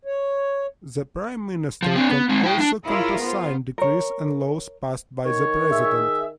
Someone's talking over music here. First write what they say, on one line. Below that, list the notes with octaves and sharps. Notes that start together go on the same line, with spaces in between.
The prime minister can also countersign decrees and laws passed by the president.
C#5
F3
C4 D4
B3
G#3 C4
E4 G5
D4
E4 F4 G#4 A#4 C#5
B3 F4 C5
A#4 C#5
D#3 C#5
G#4 E5